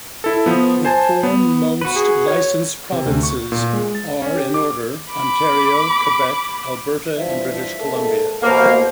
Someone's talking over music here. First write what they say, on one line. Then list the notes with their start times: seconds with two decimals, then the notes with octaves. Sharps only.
The four most licensed provinces are, in order, Ontario, Quebec, Alberta and British Columbia.
0.24 E4 A4
0.46 F3 B3
0.85 C5 G#5 A5
1.23 B3
1.81 F#4 B4
1.96 G#4
2.28 C#5
2.92 C3
3.06 D2
3.23 C#6
3.52 A#2
3.73 G#3
3.95 A6
4.22 C#4
4.35 G4
4.54 D6
5.12 B5 D6
7.17 G2 E3 F3 E5
7.78 G#2 A#3 A4
8.43 A1 B2 A#3 C5 F5